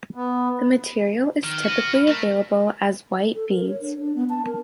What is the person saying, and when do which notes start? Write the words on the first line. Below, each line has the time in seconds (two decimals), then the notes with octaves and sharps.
The material is typically available as white beads.
0.15 B3
1.43 D#3 F6
1.64 F#4 B4
2.08 A3 A#4
3.35 A4
3.50 A#4
3.69 C#5
3.81 D4
3.98 D4
4.15 B3
4.30 A5
4.45 A#4